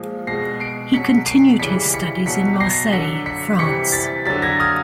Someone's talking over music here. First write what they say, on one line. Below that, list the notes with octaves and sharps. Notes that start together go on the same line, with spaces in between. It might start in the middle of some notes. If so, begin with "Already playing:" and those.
He continued his studies in Marseille, France.
Already playing: A#2 F3 G#3
B2 G#3 A#6 C7
C7 D7
B2 F#3 B6 C#7
C7 D7
C#3 E3 G3 B6 C#7
B6 C#7
B2 F#3 B6 C#7
A#6 C7
D3 F#3 B6 C#7
B6 C#7
C3 E3 G3 B6 C#7
A6 B6
D3 F#3 A6 B6
G#6 A#6
D#6 F6